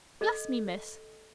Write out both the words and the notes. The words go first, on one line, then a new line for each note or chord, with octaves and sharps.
'Bless me, miss!
A4 D#5